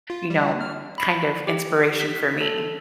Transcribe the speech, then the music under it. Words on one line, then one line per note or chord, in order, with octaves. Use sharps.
you know, kind of inspiration for me.
F4
G3
F6
B5
G4
B6
A4